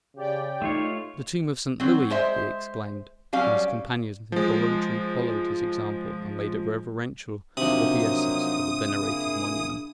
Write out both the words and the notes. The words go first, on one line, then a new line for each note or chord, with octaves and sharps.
"The tomb of St. Louis!" he exclaimed, and his companions involuntarily followed his example, and made a reverential obeisance to the venerated monument.
C#3 G4 D5 G5
A3 D#4 F4 C#5
F#3 C4
G#3 C5 E5
F#3 G3 C#4 F5
F3 G#3
C3 F3 F#3 A#3 D4 D#4 D#6
A#3 E4 G#4